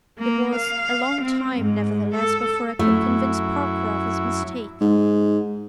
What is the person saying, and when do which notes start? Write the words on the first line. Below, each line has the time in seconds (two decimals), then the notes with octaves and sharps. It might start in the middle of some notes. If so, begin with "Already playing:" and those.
It was a long time, nevertheless, before I could convince Parker of his mistake.
0.19 A#3
0.56 F5
1.22 C4
1.57 G#2
2.15 A4
2.79 F#2 A3 E4
4.81 G#2